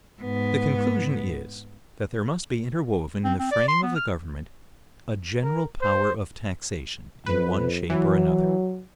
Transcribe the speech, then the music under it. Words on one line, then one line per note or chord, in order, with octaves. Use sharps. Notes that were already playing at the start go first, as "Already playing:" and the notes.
The conclusion is, that there must be interwoven, in the frame of the government, a general power of taxation, in one shape or another.
G#2 B3
C4
C4
D5
C6
B3
F6
A#4
C5
F2 B4
E3 F#3